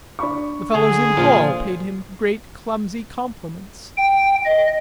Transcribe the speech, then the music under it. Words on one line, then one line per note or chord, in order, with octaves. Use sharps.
The fellows in hall paid him great clumsy compliments.
D4 B5 C#6
D3 G#4
A#2 F3 F4
G5
D#5